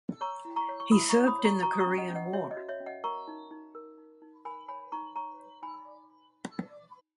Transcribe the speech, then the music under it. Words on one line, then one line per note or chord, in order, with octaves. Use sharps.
He served in the Korean War.
C#5 A#5 C#6
E4
A#5 C#6
C#5
C#6
E4 B5 D#6
A#5 C#6
C#5
B5 D#6
C#5
A#5 C#6
F#4 A#5 C#6
D#6
A#5 C#6
C#4
D#5 F#5
C#4
D#5 F#5
F#4 C#5 E5
D#5
F#4
C#5 E5
C#4
D#5 F#5
A#4 A#5 C#6
D#4
D#4
A#4
D#4
D#4
A#4 G#5 B5
C#5 G#5 B5
D#4 A#5 C#6
C#5 A#5 C#6
C#5
D#4 G#5 B5